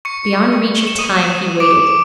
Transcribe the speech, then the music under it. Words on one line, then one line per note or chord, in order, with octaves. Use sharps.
Beyond reach of time he waited.
C#6 C#7
E7
D#6 D#7
D6 D7